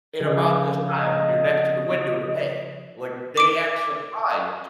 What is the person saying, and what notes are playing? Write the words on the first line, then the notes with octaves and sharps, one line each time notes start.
in about this time when you're next to the window to pay?" Like, they act surprised.
C#3 F3 G#4
D#5
D6 D7